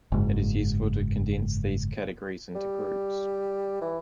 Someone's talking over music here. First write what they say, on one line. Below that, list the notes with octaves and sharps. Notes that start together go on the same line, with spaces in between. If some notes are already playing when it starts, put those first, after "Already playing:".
It is useful to condense these categories into groups.
F#1 G#2
G3
E3